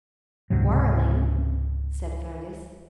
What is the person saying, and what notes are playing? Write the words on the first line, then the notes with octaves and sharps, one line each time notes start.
"Quarrelling," said Fergus.
C#2 G#2 C3 F#3